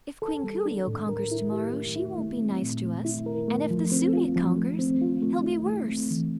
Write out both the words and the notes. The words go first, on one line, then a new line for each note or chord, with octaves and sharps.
"If Queen Coo-ee-oh conquers to-morrow, she won't be nice to us, and if the Su-dic conquers, he'll be worse."
A4
G3
D4
A2
A#4
E4
G4
A3
E4
A3
C4
A#2
A3
E4
A#4
A3
F3
C4
F4
F3
A3
C4
F4
A3
E4
A3
C4
E3